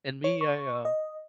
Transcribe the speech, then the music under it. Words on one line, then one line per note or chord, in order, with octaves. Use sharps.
and me, I uh,
C#5
C#6
D#5